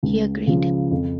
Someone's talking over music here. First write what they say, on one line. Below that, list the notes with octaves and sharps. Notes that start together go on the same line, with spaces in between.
He agreed.
C#2
C#3 F3
F2